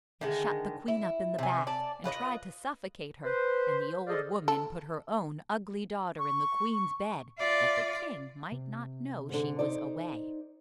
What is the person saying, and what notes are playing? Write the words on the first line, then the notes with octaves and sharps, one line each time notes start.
They shut the queen up in the bath, and tried to suffocate her, and the old woman put her own ugly daughter in the queen's bed that the king might not know she was away.
D3 D#3 G#3
E4
C3 G#5
D5 A5
F4 B4 C5 D#5
B4 C5
G#4 A4 C5 D5 D#5 F5
A4
C#6
F4 D5 E5
C3
G#2 D3
D#4 C5 D5